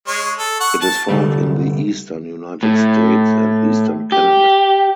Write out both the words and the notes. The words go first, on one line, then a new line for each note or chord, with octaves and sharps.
It is found in the eastern United States and eastern Canada.
G#3 C#5
A4
F#5 C#6
A5
C2 D3 G3 A3
A2
G4